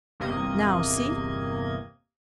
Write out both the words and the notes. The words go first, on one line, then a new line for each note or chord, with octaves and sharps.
Now, see!
G1 E2 C3 A#3 D#5 G#6